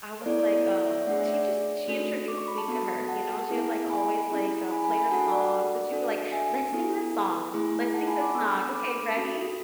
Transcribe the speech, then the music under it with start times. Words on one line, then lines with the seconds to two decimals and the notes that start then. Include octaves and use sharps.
I was like, um she just she introduced me to her, you know? And she had, like, always, like, um, play her songs, and she'd be like, "Let's sing this song. Let's sing this song. Okay, ready?"
0.21 C#5
0.26 B3 E4 A4 D5
0.40 D5
0.53 C#5
0.66 D5
0.86 C#5 E5
1.06 A3 D4 G#4 D5 F#5
1.20 C#5 E5
1.34 D5
1.47 D5
1.88 A3 D4 F#4 A4
2.28 D6
2.38 C#6
2.48 B5
2.57 A5 C#6
2.68 B3 F#4 A4
3.08 F#5 A5
3.49 B3 E4 G#4
3.90 G#5 B5
4.30 C#4 E4 G#4
4.71 G#5 B5
4.84 G#5 B5
4.97 G#5 B5
5.11 D4 F#4 A4 F#5 A5
5.31 D5 F#5
5.92 D4 F#4 A4
6.32 E5 G#5
6.73 B3 E4 A4
7.54 A3 E4 G#4
7.94 F#5 A5
8.07 G#5 B5
8.21 B5 D6
8.35 B3 D4 A4 C#6 E6
8.75 B5 D6
9.16 C#4 F#4 A4